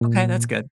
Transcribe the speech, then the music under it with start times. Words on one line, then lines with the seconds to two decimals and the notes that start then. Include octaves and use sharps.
Okay, that's good.
0.01 A#2